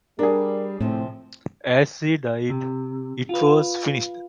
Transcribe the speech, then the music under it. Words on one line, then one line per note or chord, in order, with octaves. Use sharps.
As he died, it was finished.
G3 D4 G#4 A#4
A2 C3 F3 C4
C3
F4 B4